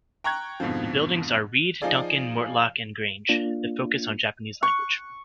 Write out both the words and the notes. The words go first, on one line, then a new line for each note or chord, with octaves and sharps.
The buildings are Reade, Duncan, Mortlock and Grange.The focus on Japanese language.
G5 A#5 C#6 F#6 G#6
F2 G#2 B2 D3 F3
F3 D#4 F4 G#4 D5
A#3 D4 F4
C#6 F#6